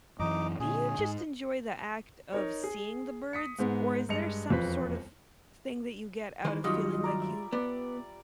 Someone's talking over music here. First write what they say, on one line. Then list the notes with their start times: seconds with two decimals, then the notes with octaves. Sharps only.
do you just enjoy the act of seeing the birds, or is there some sort of thing that you get out of feeling like you
0.19 F#2 E3 D#4 D#5 D6
0.60 A#2 D3 G#4
0.99 G#2
2.32 D#4 A#4 C#5
2.64 G#4
3.33 D#6 B6 C#7
3.59 G#2 G#3 B3
4.09 G2 G#3 D#5 C#7 F7
4.50 E1 F2 F4 B4 B6
6.44 D#3 E3 C5
6.64 G2 D#3 F#3 G3 F4 D#5
7.04 D5 A#5
7.22 E5
7.53 B3 D5